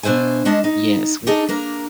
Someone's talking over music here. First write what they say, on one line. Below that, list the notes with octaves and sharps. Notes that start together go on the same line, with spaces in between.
Yes, wi t
B2 D4 C5 E5 G#5
G#3 C#4 D4 D#5 A5
D#4
D4 D#4 G#4 A4
A#3 D4 A#4